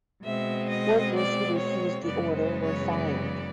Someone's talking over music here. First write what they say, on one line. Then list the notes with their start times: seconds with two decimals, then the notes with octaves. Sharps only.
Workers who refused the order were fired.
0.24 B2 G#3 C4 E5
0.68 D#5
1.14 D5
1.58 C#5
2.03 F#2 C#3 E3 G#3 B3 D5
2.33 C5
2.63 C#5
2.93 D5